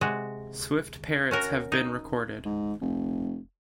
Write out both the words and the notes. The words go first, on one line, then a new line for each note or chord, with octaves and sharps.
Swift parrots have been recorded.
C3 G#3 F#4
C#4 F#4 A#4
D#4
G#2
F1